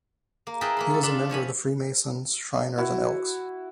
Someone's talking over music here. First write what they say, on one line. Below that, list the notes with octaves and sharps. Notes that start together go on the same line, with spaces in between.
He was a member of the Freemasons, Shriners, and Elks.
A#3
E4 G#4 A#4 B4 G5 A5
A#3 B5 C6
F4 A4
D4 F4 A5 B5 C6
F3 C#5 G#5 B5
E4 F#4